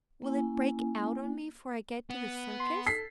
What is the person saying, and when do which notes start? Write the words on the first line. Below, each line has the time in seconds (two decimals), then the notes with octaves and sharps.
"Will it break out on me 'fore I get to the circus?"
0.22 A#3 C#4 E4 G#5
2.10 B3
2.60 C6
2.87 A4 B6 C7